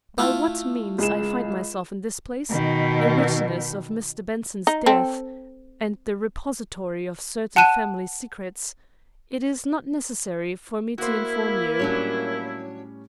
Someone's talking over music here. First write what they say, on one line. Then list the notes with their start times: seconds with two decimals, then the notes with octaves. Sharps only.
By what means I find myself in this place, a witness of Mr. Benson's death and the repository of certain family secrets, it is not necessary for me to inform you.
0.18 A3 E4 F4
0.98 C#2 G#4 E7
2.50 B2 D#3
4.67 D#4
4.86 C4 A4
7.56 F#5 A5 F#6 D#7 E7
10.98 A#3 E4 F#4 A#4 C5
11.79 A2 F#3 G3 C#4 D4 C#5